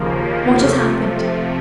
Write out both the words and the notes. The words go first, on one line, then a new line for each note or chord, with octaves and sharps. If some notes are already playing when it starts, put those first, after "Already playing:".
What has happened?
Already playing: D#2 C#3 F3 A#3
C3 F3 A3